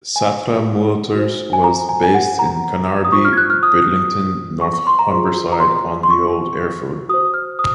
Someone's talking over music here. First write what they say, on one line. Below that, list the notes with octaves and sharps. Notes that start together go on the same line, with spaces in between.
Satra Motors was based in Carnaby, Bridlington, North Humberside on the old airfield.
G#5
F#4 C5
G#5
A#5
G#5
G#5
F#5
A#5
D#6
F4 C5 C#6
F6
G#6
F#6
F6
D#6
C#6
C#6
C6
A#5
F4 G#4 C5 C6
A#5
C6
C6
C#6
F#4 C5 D#6
F6
D#6